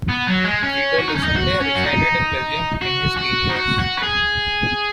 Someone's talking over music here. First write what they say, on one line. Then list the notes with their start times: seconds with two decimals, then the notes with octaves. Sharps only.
Vito Lucente resided in Belgium in his teen years.
0.09 B3
0.27 F#3
0.44 G#3
0.63 C#4
0.99 F#4
1.08 D#4
1.15 C#4
1.23 D#4
1.35 F#4
1.60 C#4
1.75 F#4
1.84 D#4
2.81 F#4
3.17 F#4
3.49 D#4
3.55 F#4
3.79 F#4
3.98 B4
4.03 G#4